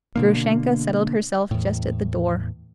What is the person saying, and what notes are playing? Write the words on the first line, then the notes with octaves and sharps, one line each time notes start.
Grushenka settled herself just at the door.
B2 D3 A#3
E2 A2